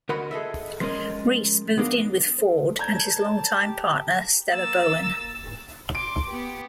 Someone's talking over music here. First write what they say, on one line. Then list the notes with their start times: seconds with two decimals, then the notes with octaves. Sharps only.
Rhys moved in with Ford and his longtime partner, Stella Bowen.
0.09 D2 F#4 A#4 D#5 F#5 B5
0.31 G#4 A4 D#5 E5
0.80 F3 G#3 B3 C#4 A#4 D#5
1.77 B1 B3 D4 A#4 F5
2.39 A4 C5
2.79 D5 A5 A#5 G6 G#6
3.18 D5
3.52 G4
4.52 A#3 E6 A6
5.95 C6 D6 D7
6.29 B3 G4